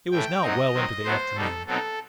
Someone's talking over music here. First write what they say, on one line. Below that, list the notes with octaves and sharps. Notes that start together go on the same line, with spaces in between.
It was now well into the afternoon.
A2 E3 A3 G5
F#2 F#3 C4 D#4 D#5
D#3 F#3 C4
A2 F#3 B3 C5
B2 G3 D#4 A4
B2 F#3 C4 D#4 A4